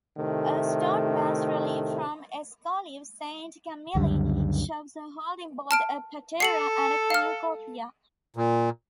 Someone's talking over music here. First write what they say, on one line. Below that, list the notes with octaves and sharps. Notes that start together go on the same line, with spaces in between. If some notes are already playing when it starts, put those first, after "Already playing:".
A stone bas-relief from Escolives-Sainte-Camille shows her holding both a patera and a cornucopia.
A2 C3 D#3 A3
C#2 F#2 D3 G3
A5 F6 D7
A4 C7 C#7 F#7
F5 F6
A#2